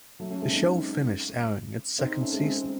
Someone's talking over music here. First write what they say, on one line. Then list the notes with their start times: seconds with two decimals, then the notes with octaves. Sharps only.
The show finished airing its second season.
0.20 F#3 A3
0.30 A3 C#4
0.42 G#3 C4
0.53 C4 D#4
1.98 C4 D#4
2.21 A3 C#4
2.32 G#3 C4
2.43 G#3 C4